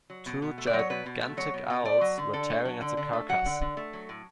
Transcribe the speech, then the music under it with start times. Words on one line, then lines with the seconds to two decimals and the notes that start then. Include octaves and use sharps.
Two gigantic owls were tearing at the carcass.
0.10 F#3
0.26 B2
0.42 B2
0.58 A3
0.67 D5
0.74 F#3
0.79 C#5
0.90 B2 B4
1.06 B2
1.22 A3
1.37 F#3 C#5
1.54 B2
1.70 B2
1.85 A3 D5
2.01 F#3
2.18 D3
2.33 D3 A4
2.50 A3
2.65 F#3
2.81 D3
2.97 D3
3.13 A3
3.29 F#3 F#5
3.46 D3
3.61 D3
3.77 A3
3.93 F#3
4.09 A2